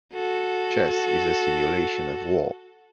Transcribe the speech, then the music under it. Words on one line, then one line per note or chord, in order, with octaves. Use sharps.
Chess is a simulation of war.
F#4 A4